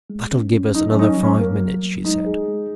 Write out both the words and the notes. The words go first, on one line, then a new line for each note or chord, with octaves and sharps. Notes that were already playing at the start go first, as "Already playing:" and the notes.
"That'll give us another five minutes," she said.
G#3
C#4
C#4
F#3 D#4
C#4
F#3 D#4
C#4
F#3
C#4
F#3 A#3
F#3
F#3
G#3 D#4
G#4
G#3